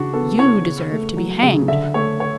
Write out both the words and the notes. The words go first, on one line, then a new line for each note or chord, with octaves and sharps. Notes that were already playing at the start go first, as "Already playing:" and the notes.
You deserve to be hanged.
Already playing: C#3 E3 D4 F#4
B3 A4
E4 C#5
C#3
A3
F#3
C#3
D3 E5
A3 C#5
C#5